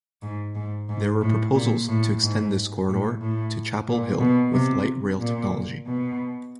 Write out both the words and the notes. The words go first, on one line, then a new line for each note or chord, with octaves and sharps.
There were proposals to extend this corridor to Chapel Hill with light rail technology.
G#2
G#2
G#2
A2
A#2
A2
G#2
A2
A2
A#2
B2
C3
A#2
B2